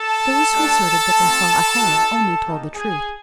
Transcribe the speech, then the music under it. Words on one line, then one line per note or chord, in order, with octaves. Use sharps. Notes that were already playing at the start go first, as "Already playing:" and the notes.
Those who asserted that they saw a head, only told the truth.
Already playing: A4 A5
A3 D4 G4
A3 C4 F4
B3 D#4 F#4
A#3 D#4 G4
G#4 G#5